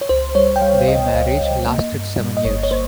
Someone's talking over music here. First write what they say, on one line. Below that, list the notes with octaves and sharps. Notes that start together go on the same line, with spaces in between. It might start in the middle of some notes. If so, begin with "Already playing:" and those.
Their marriage lasted seven years.
C#5
C#2 C5
G3 C#5
G5
G3 F5
C#2 D#5
C#2
C#2
A#3
G2
G3
D#5
G1 C#5
C#5
A#3 C5